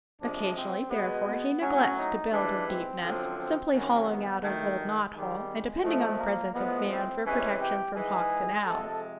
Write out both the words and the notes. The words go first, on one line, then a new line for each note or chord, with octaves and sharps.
Occasionally, therefore, he neglects to build a deep nest, simply hollowing out an old knot-hole, and depending on the presence of man for protection from hawks and owls.
C3 F3 G#3 D4
C4
B2 G#3 B3
B3
A2 F#3 C#4
D#4
G#2 E3 G3 D4
C4
F#2 D3 F3
C4
C3 D#3 F#3 C#4
B3
G2 D#3 F#3 A3
G#3
G#2 D#3 G3
A#2 F3 G#3 A3
A#3
A2 F3 G#3 B3
C4
C3 E3 G#3 C#4
G4
G#2 E3 G#3 G#4
C3 F3 G#3 A4